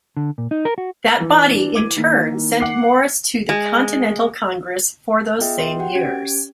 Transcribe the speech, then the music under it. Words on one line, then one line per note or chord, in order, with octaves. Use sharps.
That body, in turn, sent Morris to the Continental Congress for those same years.
D3
A#2
D#4
A#4
F#4
E3
D4
D6 G#6 D#7
D#3 A#3
F#5 D6 C7
G#3
B3 F4 G#4 D#5 E5 G5
C6
F#4 G4 F#5 G5
C#4 G4 G#6 D7